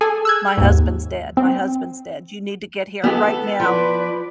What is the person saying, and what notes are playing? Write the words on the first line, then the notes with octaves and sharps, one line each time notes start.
"My husband's dead. My husband's dead. You need to get here right now,"
G#4 A4 G#5
E6 F#6 G#6
D#2 G#2
C4
B3 A4
F3 B4 D5